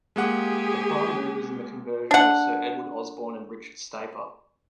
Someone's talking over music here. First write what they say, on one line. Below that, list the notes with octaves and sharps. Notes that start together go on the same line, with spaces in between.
The prime movers in the conversion were Sir Edward Osborne and Richard Staper.
G#3 A#3 G4 G#4 F#5
D4 F#5